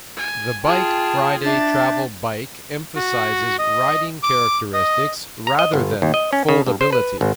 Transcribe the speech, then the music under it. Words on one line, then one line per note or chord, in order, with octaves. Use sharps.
The Bike Friday travel bike emphasizes riding characteristics rather than foldability.
G#5
F4 G#4 G5 A5
D4 E5 G6 A6
F#4
D#5
D6
D#5
A#5
D#5
G1
D#2
D#5
C#4
C#3
G2
C5
B4
G#1